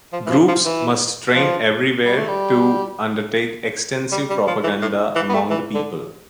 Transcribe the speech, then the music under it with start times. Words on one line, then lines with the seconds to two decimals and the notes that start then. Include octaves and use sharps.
Groups must train everywhere to undertake extensive propaganda among the people.
0.13 F3
0.26 E3
0.31 F3
0.48 F3
0.65 E3
1.35 F3
2.04 G3
2.16 A3
2.28 G3
4.12 G3
4.30 G3
4.47 F3
4.64 E3
4.82 A2
5.16 E3
5.29 B3
5.34 A3
5.50 E3
5.74 D3